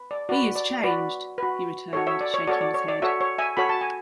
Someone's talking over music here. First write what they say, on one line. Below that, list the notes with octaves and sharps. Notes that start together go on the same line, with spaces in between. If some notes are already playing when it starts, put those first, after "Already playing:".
"He is changed," he returned, shaking his head.
Already playing: B4
D5
F#4 B4 D5
D5
F#4 B4 D5
F#4 B4
F#4 A4 C#5
C#5 E5
D5
C#5
F#4 A4 C#5 D5
D5
C#5
D5
F#4 A4 C#5 E5
C#5
E5 G#5
F#4 A4 C#5 B5
A5
G#5